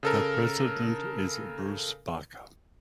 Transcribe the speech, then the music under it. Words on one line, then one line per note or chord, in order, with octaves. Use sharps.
The president is Bruce Barker.
C#3 A4 A#4